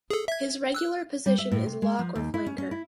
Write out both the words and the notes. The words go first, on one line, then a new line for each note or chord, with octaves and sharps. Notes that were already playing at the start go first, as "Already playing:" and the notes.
His regular position is lock or flanker.
G#4 A4
E5 G#6
E6 F#6
G3
E5
A2
C3
G#3
F3
D#2
E4
C#4
C#4
E4